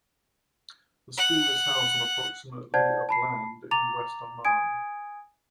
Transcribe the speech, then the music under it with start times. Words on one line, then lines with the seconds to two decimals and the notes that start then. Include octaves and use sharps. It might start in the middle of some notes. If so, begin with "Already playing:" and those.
The School is housed on approximately of land in West Amman.
1.18 F#5
2.74 C5 D5 F#5 A5 G6 G#6
3.09 A5 B5 C7
3.71 A#5 D6 A6 F7
4.45 G#5 D#6 G#6 D7